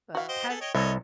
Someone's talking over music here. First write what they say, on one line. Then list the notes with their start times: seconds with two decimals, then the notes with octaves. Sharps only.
but, how d
0.15 E3 F#4 F5
0.29 C5 D#5 G5
0.49 G#4 A4
0.61 C#5 D#5 G5
0.75 C2 A4 C#5 D#5 E5